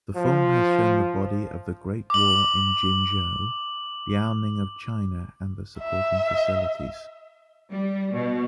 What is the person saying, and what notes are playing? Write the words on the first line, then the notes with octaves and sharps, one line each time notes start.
The form has shown the body of the Great Wall in Jinzhou, Liaoning of China and the supporting facilities.
F3
D6 F#7
E5
G3
B2